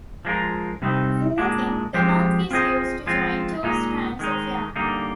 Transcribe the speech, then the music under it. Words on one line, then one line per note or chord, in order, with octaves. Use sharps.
In knitting, the knot is used to join two strands of yarn.
F3 G#3 D4 F4 A#4
C3 G3 C4 D#4
A#2 G#3 D4
F3 G#3 C4 G4 C5
C4 F4 G#4 C5 D#5
F3 G#3 C4 F4
A#2 G#3 D#4
D#3 G#3 D#4
D3 G3 A#3 D#4